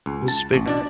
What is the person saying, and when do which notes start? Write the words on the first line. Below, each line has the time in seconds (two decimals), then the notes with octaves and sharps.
It's be
0.06 C#2
0.28 A5
0.54 A1
0.66 B2 D4 D5